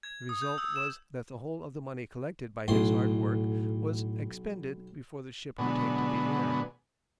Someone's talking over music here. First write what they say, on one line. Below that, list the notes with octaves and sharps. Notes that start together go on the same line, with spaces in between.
The result was that the whole of the money collected by his hard work was expended before the ship could take to the air.
G#6
D#6
G6
E6
E7
B1 A2 C6
B2 D3 F#3 G#3 B3